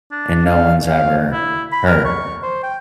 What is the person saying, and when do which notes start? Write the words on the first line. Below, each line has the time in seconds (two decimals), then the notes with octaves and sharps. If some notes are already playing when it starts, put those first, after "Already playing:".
and no one's ever her,
0.11 D4
0.45 F5
0.87 F5
1.32 E4
1.72 B5
1.86 A#4
2.05 C#6
2.43 C5
2.63 G5